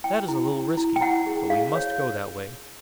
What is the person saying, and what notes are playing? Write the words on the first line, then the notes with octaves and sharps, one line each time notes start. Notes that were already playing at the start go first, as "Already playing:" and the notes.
That is a little risky, but we must go that way.
E4 G5
E4
E4
E4
G5
E4 F#5
G#4
G#4 F5
C#5